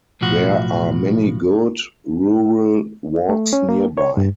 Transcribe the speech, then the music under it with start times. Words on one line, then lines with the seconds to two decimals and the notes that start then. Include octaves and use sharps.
There are many good, rural walks nearby.
0.21 B1 A2 F3 F#4
3.29 A3
3.53 C#4
3.69 A#3
3.97 C#5
4.17 G2